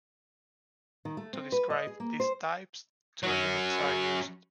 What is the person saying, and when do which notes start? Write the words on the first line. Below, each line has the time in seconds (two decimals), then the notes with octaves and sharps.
To describe these types two limits are used.
1.05 D#3
1.17 A3
1.33 C4
1.52 B4
1.70 D#5
1.87 G#4
2.00 A#3
2.20 C5
3.23 F#3 C#4